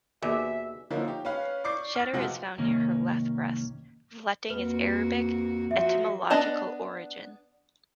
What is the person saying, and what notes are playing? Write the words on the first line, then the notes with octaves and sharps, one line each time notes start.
Schedar is found near her left breast, reflecting its Arabic etymological origin.
D#2 B2 D#3 G#4 D5 E5 G#5
D3 F3 A#3 C#4 D#4 E4
D#4 G4
C#4 B4 F5
D5 C#6 D6 G6 C7
F6 A6
F1 C3 G#3 F4 F#4 F#5
C2 G#2 D#3 A#3 C#4
F2 A#3 F#4 B4
F3 F#3 F#4 E5
B3 D4 D#5 A5